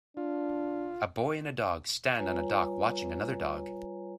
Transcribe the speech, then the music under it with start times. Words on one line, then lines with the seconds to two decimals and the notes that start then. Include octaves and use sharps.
A boy and a dog stand on a dock watching another dog.
0.17 D4 F4
2.17 G3 F4 B4 C#5 G#5 A#5